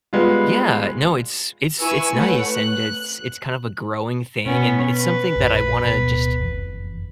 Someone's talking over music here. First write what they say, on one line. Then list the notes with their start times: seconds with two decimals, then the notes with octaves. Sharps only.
Yeah, uh, no, it's it's it's nice, and it's it's kind of a growing thing, and it's something that I wanna just
0.13 G3 G#3 B3 F4
1.81 E4 B4 G#5 C#6 E6
2.14 A3 B4 C#5 F#5
2.54 F#6
4.46 B2 B3 C#4
4.95 B4
5.35 A#1 F#2 A#2
5.85 D1 B2
6.39 F#1 F2 E3